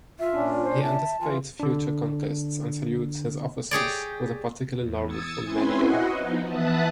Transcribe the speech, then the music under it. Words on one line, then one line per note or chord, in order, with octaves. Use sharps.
He anticipates future conquests and salutes his officers, with a particular laurel for Lelio.
F4 E5
A#2 C#4 D4
C5
E5 A5
E3 F4 G#5
D3 D4
G4 G#4 C#5 D5
E2
D#6 E6 G#6 A6 C#7
C4 C#4 E4 B4 G#5 C6
E4 F#4 D#5 F#5
F3 B3 D#4
E3 B3 E5 A5 D#6 F#6